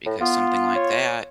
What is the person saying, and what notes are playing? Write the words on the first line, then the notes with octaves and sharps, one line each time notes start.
because something like that.
A2
B3 F4
C#5